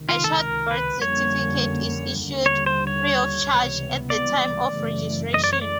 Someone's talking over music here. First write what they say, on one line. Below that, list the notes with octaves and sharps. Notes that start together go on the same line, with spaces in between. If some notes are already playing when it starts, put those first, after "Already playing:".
A short birth certificate is issued, free of charge, at the time of registration.
Already playing: C#2 C3 D#3
F4
A4
A#4
B4
F2 D3 G3 A#3 C#4 C#5
D#2 D3 G3
C#5
C5
C#5
C#2 C3 E3 G3 B3
D5
F#2 C#3 E3 A3
D#5
D5
C#5
D5